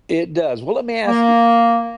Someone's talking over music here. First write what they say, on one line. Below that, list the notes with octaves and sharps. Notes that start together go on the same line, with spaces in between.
It does, well, let me ask y
A#3